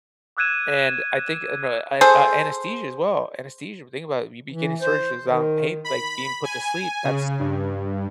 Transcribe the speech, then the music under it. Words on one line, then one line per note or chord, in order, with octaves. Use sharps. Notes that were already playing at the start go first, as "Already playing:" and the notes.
and, I think uh, no, I uh, anesthesia, as well anesthesia when you think about it, we begin surgeries on pain like, being put to sleep, that's
D6 E6 F#6 G#6 D#7 E7
G#4 A4 C5
E3
C5
D#3
B5
G#5
C#3
G2